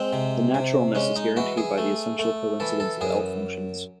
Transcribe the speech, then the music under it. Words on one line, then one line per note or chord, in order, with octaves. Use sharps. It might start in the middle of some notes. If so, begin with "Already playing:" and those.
The "naturalness" is guaranteed by the essential coincidence of L-functions.
Already playing: G#3 C4
C3
C3
G#3 C#4
D#4
E3 F#4
G#4
A3
A3
E3 A4
A4
F#2 G#4